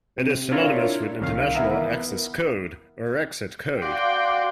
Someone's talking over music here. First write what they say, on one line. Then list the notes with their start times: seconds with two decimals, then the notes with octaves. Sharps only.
It is synonymous with international access code or exit code.
0.18 C3
0.51 D4 E4 F4 A#4 C#5
1.20 C2 D#3 F5
1.54 E3 B3 E4 A#4
3.82 F#4 D5 F5 G5 C6 D6